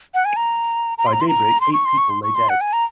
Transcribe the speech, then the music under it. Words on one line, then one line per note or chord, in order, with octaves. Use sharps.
By daybreak, eight people lay dead.
F#5
G#5
A#5
A#5
C6
A#5
C6
A#5
C6
C#6
C6
C#6
C6
C#6
C6
F#5
G#5
A#5